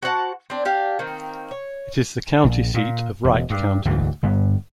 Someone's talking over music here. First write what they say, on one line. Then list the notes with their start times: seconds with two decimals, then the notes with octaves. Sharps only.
It is the county seat of Wright County.
0.03 F#4 C5 F#5 A5
0.50 C4 D4
0.65 D4 G4 F5
0.99 D#3 A#3 C4
1.51 C#5
2.44 A#1
2.74 A#2
3.25 E1
3.50 G2
3.85 D2 G#2 E3
4.23 G1 G2 B3